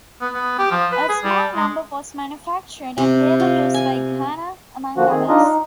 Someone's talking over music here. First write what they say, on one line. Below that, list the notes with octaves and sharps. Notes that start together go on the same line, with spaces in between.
A small number was manufactured, and they were used by Ghana, among others.
B3
B3
G4
F3
B4
G#4
G3
G#3
C3
F4
G#5
D3 F3 A#3 F#4
D#3 C4 G#4
D4 D#4 F4 D#5
D#4